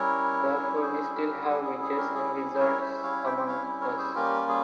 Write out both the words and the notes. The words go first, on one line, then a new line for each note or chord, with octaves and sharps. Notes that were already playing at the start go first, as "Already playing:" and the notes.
Therefore we still have witches and wizards amongst us.
Already playing: G3 C#4 E4 A#4 C#5
C#5
G#4 C5
G4 A#4
G#4
G3 C#4 E4 G4
G#4
G#4
G4 A#4
G#4
G#4
C5
A#4 C#5
C5 E5
C#5 F5
E5 G5
G5
C#5 F5
A#4 C#5
G#4 C5
G3 A#3 C#4 F4 G4 A#4
A#4
G#4